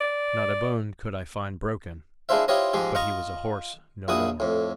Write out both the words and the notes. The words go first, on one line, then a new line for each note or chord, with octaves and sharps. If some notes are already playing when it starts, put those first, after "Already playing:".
Not a bone could I find broken, but he was a horse no more.
D5
G#3 D4 E4 F4 C5 E5
E4 F4 G4 C5 C#5 D#5
G#2 F3 G#3 G4
F4 D#5 A#5 C#6
A#1 A#2 E4 F#4 D#6
F2 A2